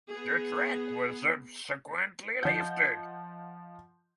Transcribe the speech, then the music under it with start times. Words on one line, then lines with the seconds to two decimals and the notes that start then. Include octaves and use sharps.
The track was subsequently lifted.
0.11 B3 G#4
2.43 F3 D#5 F#5 G6